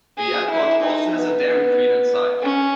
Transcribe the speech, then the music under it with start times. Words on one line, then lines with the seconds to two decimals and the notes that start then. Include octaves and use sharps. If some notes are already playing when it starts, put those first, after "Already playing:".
The airport also has a Dairy Queen inside.
0.18 G#4
0.50 E4
0.82 D#4
1.14 B3
2.43 C#4